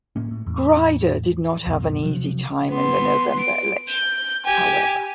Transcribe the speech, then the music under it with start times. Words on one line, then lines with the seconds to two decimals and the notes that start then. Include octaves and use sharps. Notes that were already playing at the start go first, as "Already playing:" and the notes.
Grider did not have an easy time in the November election, however.
0.16 A2 A#3 C#4
0.31 A2
0.46 E2 A2
1.67 C#2 F#2 B2
2.04 C3 F3 F#3
2.70 B3 C6
3.39 D7
3.89 G6
4.45 G4 G#5